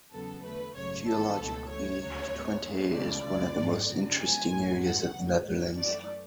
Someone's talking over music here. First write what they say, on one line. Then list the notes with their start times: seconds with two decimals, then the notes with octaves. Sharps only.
Geologically, Twente is one of the most interesting areas of the Netherlands.
0.13 E2 C#3 F#3 B3 A4
0.44 E2 D3 A3 B4
0.75 G#1 F#2 C#3 F#3 A3 C#5
1.07 G#2 E3 G#3 B3 A4
1.38 C#2 B2 A3
1.69 F#2 E3 A3 C#5
2.02 D2 C#3 F#3
2.32 G#2 F#3 B3
2.64 F#2 E3 G#3 B3
2.95 C#2 C#3 E3 A3 D5
3.27 C#2 C#3 G#3 B3
3.58 G#1 G#2 G#3 B3
3.89 F#2 C#3 F#3
4.21 G#2 F#3 B3 G#5
4.52 A1 A2 F#3 B3
4.84 G#2 E3 G#3 B3 F#5
5.15 D2 C#3 F#3
5.46 G#2 F#3 B3
5.78 F#2 E3 A3 D5